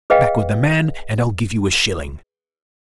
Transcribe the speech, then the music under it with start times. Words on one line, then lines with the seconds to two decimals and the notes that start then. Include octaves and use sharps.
Come back with the man, and I'll give you a shilling.
0.10 G#4 B4 D#5 F5 G5